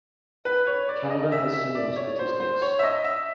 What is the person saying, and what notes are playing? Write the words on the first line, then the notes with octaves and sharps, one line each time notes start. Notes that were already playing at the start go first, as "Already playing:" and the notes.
Canada has similar statistics.
B4
C#5
D5
D#5
E5
E5
D5
C#5
C5
C5
C#5
E5
D#5
E5